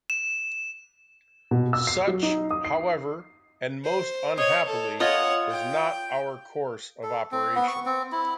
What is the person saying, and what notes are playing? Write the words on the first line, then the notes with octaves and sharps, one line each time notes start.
Such, however, and most unhappily, was not our course of operation.
E7
B2
E6
C7
F#3
D#4
D#6
C7
C5
C#5 D#5
A4
F4 C#5 D#5 F#5 D#6
G5
A4
C4
B3
C#6
C4
E4